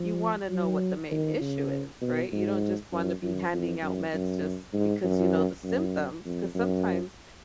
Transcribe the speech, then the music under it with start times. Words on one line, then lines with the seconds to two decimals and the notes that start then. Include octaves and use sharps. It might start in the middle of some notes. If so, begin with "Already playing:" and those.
you wanna know what the main issue is, right? You don't just wanna be handing out meds just because you know the symptoms, 'cause sometimes
Already playing: F3
0.50 F#3
1.11 D#3
1.41 C#3
2.01 B2
2.32 G#2
2.92 F#2
3.23 F#2
3.53 F2
3.82 F#2
4.14 F#2
4.73 G#2
5.04 F#2
5.64 F#2
6.25 F2
6.55 F#2